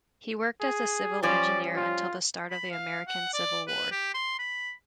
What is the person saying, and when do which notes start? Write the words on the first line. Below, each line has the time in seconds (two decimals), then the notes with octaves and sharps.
He worked as a civil engineer until the start of the American Civil War.
0.61 G#4
1.23 F3 G3 C#4 D5
1.76 F4
2.51 B5
2.71 F5
3.08 F#5
3.34 D5
3.67 B4
3.91 G4
4.14 C6
4.39 B5